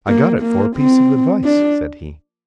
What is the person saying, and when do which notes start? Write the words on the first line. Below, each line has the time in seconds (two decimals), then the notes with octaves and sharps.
"I got it for a piece of advice," said he.
0.08 A#3
0.42 A#3
0.76 C4
1.44 D4